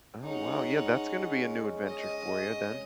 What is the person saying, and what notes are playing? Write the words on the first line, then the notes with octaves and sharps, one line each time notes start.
Oh wow, yeah, that's gonna be a new adventure for you then.
G#3 C#4 D#4 F#5
D#5